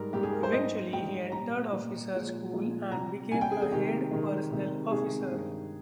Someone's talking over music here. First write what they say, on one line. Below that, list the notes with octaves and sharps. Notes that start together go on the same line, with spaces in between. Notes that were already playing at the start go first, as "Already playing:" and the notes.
Eventually he entered officer school and became a head personnel officer.
Already playing: G#2 G3 A#4
G#2 G3 G4
G#4
A#4
C5
G#2 G3 D#5
G#2 G3 G5
A#2 G3 A#5
A#2 G3
A#2 F3 G#3
A#2 F3 G#3
C3 G3 A#5
C3 G3 G#5
G5
G#4
G#4
C3 D#3 G#3 G4
C3 D#3 G#3
C3 D#3 G#3
C3 D#3 G#3 G#4
G2 D#3 G#3